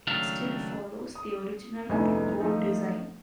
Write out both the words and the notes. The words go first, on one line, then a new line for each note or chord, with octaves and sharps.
It still follows the original two board design.
C#2 D#3 F#3 A3 D4 F5
D#6
F1 D2 B3 D#4 E4 G#5
F3 A3 D#4 A4